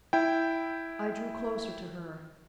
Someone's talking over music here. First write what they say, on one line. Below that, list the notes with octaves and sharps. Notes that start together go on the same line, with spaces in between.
I drew closer to her.
E4 G5